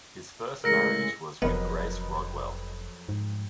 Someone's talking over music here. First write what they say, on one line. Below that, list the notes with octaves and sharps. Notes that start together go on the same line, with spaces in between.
His first marriage was with Grace Rodwell.
A2 C#3 G#3 A#4 E6 A#6 C#7
F1 F2 F#3 B3 A#4 B4 D#5
G#2